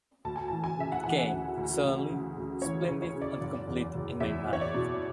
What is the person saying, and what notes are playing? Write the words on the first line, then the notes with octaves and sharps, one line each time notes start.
It came suddenly, splendid and complete in my mind.
D2 A5
G#5
E3 A5
G#5
C#3 E5
F#5
E3 G#5
D2
D2
C#3
C#3
D2
E3 C#5
C#5
C#3
C#5
C#3
D5
F#1
E2
F#1
E2 E5
E2
C#5
D5
B2